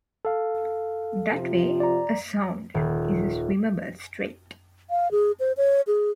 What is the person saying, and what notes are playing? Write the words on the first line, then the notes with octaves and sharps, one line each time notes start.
That way a "sound" is a "swimmable strait".
A4 F5
C3 F3 F4
D5 A#5
D#1
F5
G#4
C5
C#5
G#4